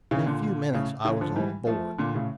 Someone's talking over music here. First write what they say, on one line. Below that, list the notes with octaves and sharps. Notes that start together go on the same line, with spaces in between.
In a few minutes I was on board.
C#3 E3
A#2 D3
A2 C#3
C#3 E3
D3 F3
E3 G3
F3 A3
A#2 D3
A2 C#3